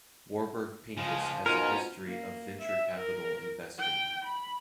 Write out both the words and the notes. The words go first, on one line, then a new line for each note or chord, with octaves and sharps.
Warburg Pincus has a history of venture capital investing.
C#3 F3 G#3
B2 C#4 D#4 F4 A#4 C5
A#3
E5
A#4
G5
B5